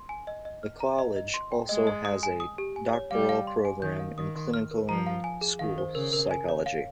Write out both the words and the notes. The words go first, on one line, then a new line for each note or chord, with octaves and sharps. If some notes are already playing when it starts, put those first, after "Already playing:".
The College also has a doctoral program in Clinical and School Psychology.
Already playing: C6
G#5
D#5
D#5
F6
A#5
D#5
D#5
C6
G5
G#3 D#5
D#5
D#6
G#5
D#6
G4
G#5
C#5
G3 F5
F5
C6
G#5
D#3 G6
F5
D#3 D#6
C6
F6
A#4
F3 A#5
F5
G#5
G#4
D#3 F5
C5
C#3 A#4
A#4
G#5
C#5
F5